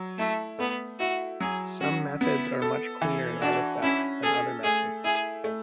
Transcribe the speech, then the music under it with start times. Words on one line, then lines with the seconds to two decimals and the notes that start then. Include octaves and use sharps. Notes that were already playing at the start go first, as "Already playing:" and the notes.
Some methods are much cleaner in artifacts than other methods.
Already playing: F#3
0.18 A3 E4
0.59 A3 B3
0.99 E4 F#4
1.40 F#3 G#4
1.81 C#4 F#4
2.21 B3 E4
2.62 A4
3.02 E3
3.42 D4 F#4
3.82 C#4 E4
4.23 G#4 A4
4.63 A3 G#4
5.04 E4 G#4
5.44 A3